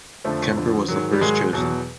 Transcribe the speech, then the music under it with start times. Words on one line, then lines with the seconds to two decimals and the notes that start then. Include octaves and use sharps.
Kemper was the first chosen.
0.25 F2 D3 F3 A3
0.57 F2 D3 F3
0.88 G#2 D#3 F#3
1.13 G3
1.21 G#2 D#3 F#3 G#3
1.53 E2 B2 F#3